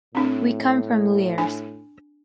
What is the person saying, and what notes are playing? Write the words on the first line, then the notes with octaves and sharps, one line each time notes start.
We come from Llers.
A2 C4 D4
D4 G#5